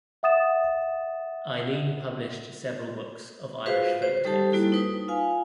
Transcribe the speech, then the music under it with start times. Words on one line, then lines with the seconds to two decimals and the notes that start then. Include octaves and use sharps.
Eileen published several books of Irish folk-tales.
0.23 E5 F#5 D#6 A6 E7
3.65 F4 F#4 G#4 B4 C5 F5
4.02 C5
4.25 G3 D#4 G4 A4 C5 A5
4.52 G3 A#3 E4 F#4 A4
4.72 D#4 B4 D#6
5.08 F4 F5 G#5